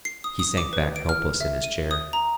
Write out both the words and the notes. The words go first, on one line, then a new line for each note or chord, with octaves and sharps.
He sank back helpless in his chair.
C7
D#6
D#6
D6
B4
D7
F6
E5
D#7
D#6
A#5